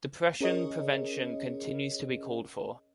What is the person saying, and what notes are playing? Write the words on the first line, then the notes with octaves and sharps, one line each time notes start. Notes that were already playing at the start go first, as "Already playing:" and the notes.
Depression prevention continues to be called for.
C#4 G#4 A#4 C#5 D#5